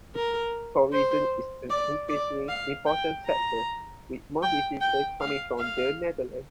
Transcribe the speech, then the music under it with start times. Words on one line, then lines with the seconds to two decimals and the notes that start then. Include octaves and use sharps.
Tourism is an increasingly important sector, with most visitors coming from the Netherlands.
0.15 A#4
0.93 C5
1.70 D5
2.09 D5
2.48 F5
2.87 G5
3.26 A#5
4.43 G5
4.81 G5
5.20 F5
5.58 F5